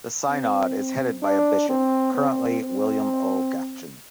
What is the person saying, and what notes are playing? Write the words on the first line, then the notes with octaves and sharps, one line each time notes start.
The synod is headed by a bishop, currently William O. Gafkjen.
C4
D4
C4
C4
C4